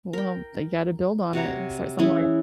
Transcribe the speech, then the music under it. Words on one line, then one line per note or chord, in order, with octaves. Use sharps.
Well, you gotta build on it and start somewhere.
A#4 G5
C3 F#4 C#5 A#5
E3 G#3 C#4 E4